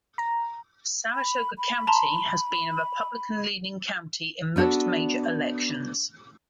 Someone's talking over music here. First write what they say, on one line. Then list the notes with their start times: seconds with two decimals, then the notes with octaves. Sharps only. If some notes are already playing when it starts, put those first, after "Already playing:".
Saratoga County has been a Republican-leaning county in most major elections.
0.18 A#5
1.12 B5
1.58 B5
1.87 A5 A#5 C6
4.56 B3 D4 F#4 A4